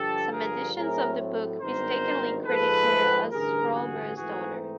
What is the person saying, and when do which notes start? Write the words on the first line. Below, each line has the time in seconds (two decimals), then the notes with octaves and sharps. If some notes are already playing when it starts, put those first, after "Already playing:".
Some editions of the book mistakenly credit her as Rohmer's daughter.
Already playing: G2 D3 F3 G4 A4
0.32 G#4 A#4
0.75 A2 F#3 A3 C4 G#4 A#4
1.60 G#1 G2 D#3 G3 B3 A#4 C5
2.46 G#2 F3 G#3 A4 B4
3.31 A1 G2 D3 G#4 A#4
3.74 F#4 G#4
4.17 G#2 E3 A3 C4 D#4 F#4 G#4